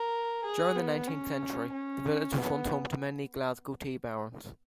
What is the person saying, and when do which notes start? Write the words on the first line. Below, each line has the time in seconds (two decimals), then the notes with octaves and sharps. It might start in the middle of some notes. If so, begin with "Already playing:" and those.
During the nineteenth century the village was once home to many Glasgow tea barons.
Already playing: A#4
0.44 G#4
0.76 B3
1.08 C#4
1.73 C#4
2.38 B3